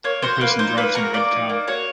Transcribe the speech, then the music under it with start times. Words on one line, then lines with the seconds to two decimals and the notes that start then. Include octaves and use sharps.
A person drives in a red car.
0.04 A#3 C#5
0.22 F#4 C5
0.41 A#3 B4
0.59 D#4 C5
0.77 A#3 B4
0.95 F#4 A#4
1.14 A#3 D5
1.31 D#4
1.49 A#3
1.68 F#4 C#5